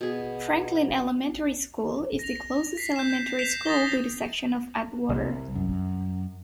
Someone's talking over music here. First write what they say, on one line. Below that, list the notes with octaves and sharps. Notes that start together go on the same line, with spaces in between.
Franklin Elementary School is the closest elementary school to the section of Atwater.
B2 G#4
A#6 F7
B6 C7
G6 E7
G6
G6 B6 C7 E7 F7
D#6 A6 A#6 G7
C2
F#2